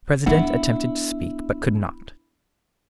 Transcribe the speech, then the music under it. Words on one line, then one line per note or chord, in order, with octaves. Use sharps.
The president attempted to speak, but could not.
B3 D4 E4 F#5